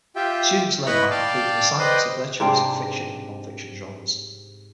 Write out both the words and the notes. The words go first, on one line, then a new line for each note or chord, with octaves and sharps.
Students learn by completing assignments of their choice in fiction and non-fiction genres.
F4 G4 E5 G5
E4 B4 D#5 B5 C#6
D5 F5 G5 A5
B4 C5 D5 D#5 G5
G#2 C3 C4 D4